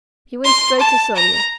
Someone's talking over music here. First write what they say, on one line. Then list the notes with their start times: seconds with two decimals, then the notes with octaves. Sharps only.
He went straight to Sonia.
0.44 C6
0.80 A5
1.16 A#5